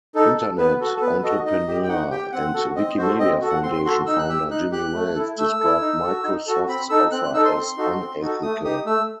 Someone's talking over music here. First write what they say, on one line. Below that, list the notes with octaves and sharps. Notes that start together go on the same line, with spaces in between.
Internet entrepreneur and Wikimedia Foundation founder Jimmy Wales described Microsoft's offer as unethical.
D#4 A4
A4
B3 B4
F#4 A4
A4
B3 B4
F#4 A4 D#5
D#4 D#5
G4
G5
D#4 F#5
G4 G5
C4 F#5
F#4 A4
C4 D#5
F#4 A4 C5
C4 D#5
F#4 A4
F#5
C4 C6
C6
F#4 A4 C6
D#4 E6
F#6
G4 E6
D#4 F#6
G4 F#6
A3
E4 A4
A3 E6
E4 A4
D#4
F#4 A4
D#4
F#4 A4
C4 B5
D#4 A4 E6
C4 F#6
F#6
D#4 A4 E6
C6
C4
D#4 F#4 A4
C4
D#4 F#4 A4
A3 D#6
D#4 G4 D#6
A3 E6